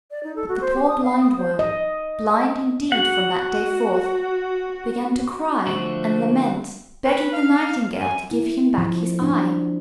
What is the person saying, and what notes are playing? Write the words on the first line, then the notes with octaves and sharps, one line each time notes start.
But the poor Blindworm, blind indeed from that day forth, began to cry and lament, begging the Nightingale to give him back his eye.
D5
D#4
A4
F#4
C5
G4
D#6
F5
D#6
C5
D#5
F#4 F#5
D3 F3 A3 F#4
B4
F5
G#5
E4
F3
D4